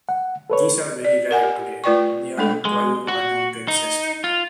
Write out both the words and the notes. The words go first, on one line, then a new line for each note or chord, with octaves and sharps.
These are very rare today: only around twelve are known to exist.
F#5
A4 B4 C#5
D5
A#4 F#5 G#5
G4
A3 F4 B4 D5 G5 C#6
G#3 A3 D4 A4
G#3
F#4
D#4
F4